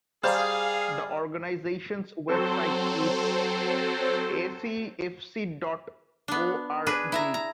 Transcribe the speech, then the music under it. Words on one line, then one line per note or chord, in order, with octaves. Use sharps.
The organization's web site is acfc dot org.
G3 G#4 C5 F5 A#5
F#3 C4 A4 C5
B3 D4
D4 G#4 B4
E4 E5 A#5
A#5